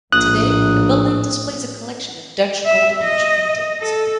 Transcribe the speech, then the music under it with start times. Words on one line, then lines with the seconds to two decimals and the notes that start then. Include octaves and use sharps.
Today, the building displays a collection of Dutch Golden Age paintings.
0.12 A#1 A2 D#6 F#6
2.65 E5
3.03 D#5
3.81 A4